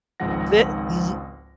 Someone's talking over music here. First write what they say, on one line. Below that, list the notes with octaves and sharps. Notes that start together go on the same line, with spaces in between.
Thi th
G#1 C#2 G#2 F3 F#5 A#6